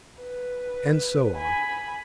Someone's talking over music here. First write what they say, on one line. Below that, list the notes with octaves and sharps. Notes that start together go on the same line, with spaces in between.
And so on.
B4
G#5 B5